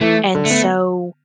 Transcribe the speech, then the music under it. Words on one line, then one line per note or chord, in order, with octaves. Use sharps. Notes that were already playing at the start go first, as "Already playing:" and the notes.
and so,
E3 A3
D3
A3
B3